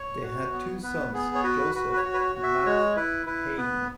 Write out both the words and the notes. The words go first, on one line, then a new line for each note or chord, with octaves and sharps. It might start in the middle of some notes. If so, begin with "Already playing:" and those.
They had two sons Joseph and Max Heine.
Already playing: C#5
F#4
B3
B3 B4
B3 G#4
C#5
F#4 B4
F#4 B4
B4
C#5
F#4
B4
C#5
F#4
E5
G#3 C#5
E4 B4
E4 B4
B3 B4